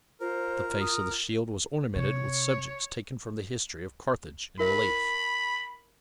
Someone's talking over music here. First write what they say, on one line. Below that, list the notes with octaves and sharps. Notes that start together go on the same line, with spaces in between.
The face of the shield was ornamented with subjects taken from the history of Carthage in relief.
F4 A#4 C5
D#6
C3 C#5
E4 A#4 E5 B5